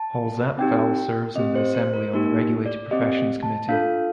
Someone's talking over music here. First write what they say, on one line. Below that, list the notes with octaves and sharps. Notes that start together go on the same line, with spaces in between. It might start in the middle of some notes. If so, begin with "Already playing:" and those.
Holzapfel serves in the Assembly on the Regulated Professions Committee.
Already playing: A5
C4 D#4 G4 G5
C4 G4 D#5
C5
C5
A#4
A#3 D#4 G4 A#4
D5
C4 G4 D#5
A5
D4 F4 A4 F5